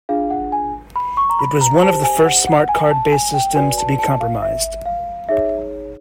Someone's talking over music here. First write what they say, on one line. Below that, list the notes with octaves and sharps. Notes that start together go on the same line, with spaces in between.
It was one of the first smart card based systems to be compromised.
D4 F4 G#4 F5
F#5
G#5
B5
C#6
A#5
B5
A#5
G4 C5 A5
G#5
F#5
F#5
G#5
A5
G#5
G5
F#4 B4 D5 G#5
A5
A5
F5
E5
F5
D#4 G#4 C#5 E5